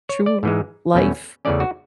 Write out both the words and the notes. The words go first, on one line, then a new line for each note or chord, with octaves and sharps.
true life,
C#5
D5
G#2 E3 G#3
E2 B2 A3 C#4
E2 C#3 E3 A3 C#4 D5
F#4